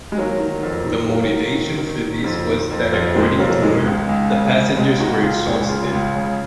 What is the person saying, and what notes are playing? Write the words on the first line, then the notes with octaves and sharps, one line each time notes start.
The motivation for this was that according to her the passengers were exhausted.
G#3
D#3 F#3 A#3
D#3
F2
D#3
D#3 F#3 A#3
D#3
D#3
D#3
D#3
F2
D#3
F2
F2
D#3 G#3 C4
F2 F#3 A#3
D#3 G#3
C#2
C#2
C#3
C#3
C#2 G#3
C#2 D#4 F#4
C#2 F4 G#4
C#2
C#3 F4 G#4
C#2
C#3